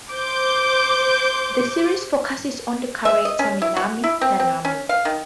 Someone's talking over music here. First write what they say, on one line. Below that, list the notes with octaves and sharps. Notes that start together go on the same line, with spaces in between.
The series focuses on the character Minami Nanami.
C5 D6 G6
E5
D#5
C#4
E4
F#4
E4
C4
C4
C#4
F5
D#3